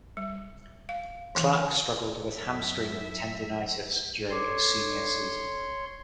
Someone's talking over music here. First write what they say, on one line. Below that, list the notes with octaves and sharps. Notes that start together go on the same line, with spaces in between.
Clark struggled with hamstring tendinitis during his senior season.
G3
F5
E3
F#2 E5
A4 C#5 C6 D6